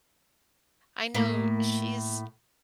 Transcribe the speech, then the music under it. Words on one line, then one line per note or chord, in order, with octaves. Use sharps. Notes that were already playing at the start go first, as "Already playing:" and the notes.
I know she's
A2 A#3